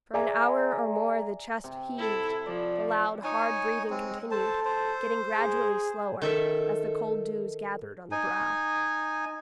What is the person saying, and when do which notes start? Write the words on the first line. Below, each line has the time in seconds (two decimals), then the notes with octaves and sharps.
For an hour or more the chest heaved, the loud, hard breathing continued, getting gradually slower, as the cold dews gathered on the brow.
0.14 G#4 D5 E5 G#5 A#5
1.64 C3
1.98 E4 A4
2.46 F3 D5
3.24 D#4 C#5 G#5
3.90 G#3 C4
4.31 A4 C5 A5
4.65 C5
5.35 G#4
6.22 D#3 A4 E5
8.11 D#4 G#5